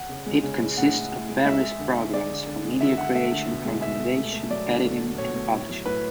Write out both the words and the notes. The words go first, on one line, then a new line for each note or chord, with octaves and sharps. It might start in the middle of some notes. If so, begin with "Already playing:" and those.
It consists of various programs for media creation, organization, editing and publishing.
Already playing: F#5
C#3
G#3
C#3
G#3
A2 F#5
A2
A2
G#3
G#3 E5
G#3
D3
D3
G#3 D5
D3
D3
G#3
D3 E5
D3 F#5
A3 E5
D3
B2
G#3
B2 E5
G#3
A3
A3
F#3 D5
D3
A3
B2
B2 C#5
A3
A2
F#3
A2 B4